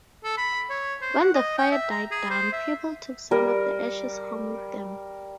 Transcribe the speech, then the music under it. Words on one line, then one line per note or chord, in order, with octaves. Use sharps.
When the fire died down, people took some of the ashes home with them.
A4
B5
C#5
C5
F#5
D#5
G5
E5
A#5
G#4
C5
E5
G3 A#4